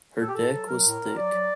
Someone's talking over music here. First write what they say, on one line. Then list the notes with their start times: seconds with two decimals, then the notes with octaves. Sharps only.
Her deck was thick.
0.20 A2 A4
0.28 G4
0.35 A2 A4
0.52 F#3
0.68 F#3 A#4
0.85 A2
1.00 A2
1.17 F#3 D5
1.33 F#3